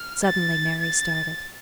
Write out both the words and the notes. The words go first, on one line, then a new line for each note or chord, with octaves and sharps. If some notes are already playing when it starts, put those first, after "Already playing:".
Suddenly Mary started.
Already playing: F6
A6
A6